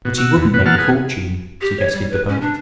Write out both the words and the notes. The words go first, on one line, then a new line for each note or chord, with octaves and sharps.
"But he wouldn't make a fortune," suggested the Poet.
B2
F#4 E6
E2
B2 B4
E3 A#3 F#5 A5 F6
G#4 B4
G4
C#5
G3
B4
C#4
D4